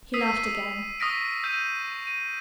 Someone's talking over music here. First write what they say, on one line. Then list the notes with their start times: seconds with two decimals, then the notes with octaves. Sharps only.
He laughed again.
0.14 D#6 E6 B6 C7 D#7
1.00 C#6 D#6 F6 A#6 B6 D7
1.44 E6 G6 A#6 D#7
2.07 D#7